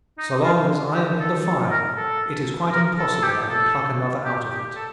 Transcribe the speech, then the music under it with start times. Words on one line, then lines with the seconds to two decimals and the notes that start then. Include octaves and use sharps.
So long as I am in the fire, it is quite impossible I can pluck another out of it.
0.18 D#4
0.44 F4
0.94 G4
1.20 A4
1.45 A4
1.71 A#4
1.96 A4
2.72 A#4
2.98 A4
3.11 A4
3.23 G4
3.49 A4
4.25 G4
4.51 G4
4.76 A4